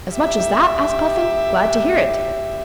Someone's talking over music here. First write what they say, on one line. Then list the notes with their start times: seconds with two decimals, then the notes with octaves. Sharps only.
"As much as that?" asked Puffin, "Glad to hear it."
0.11 G4 E5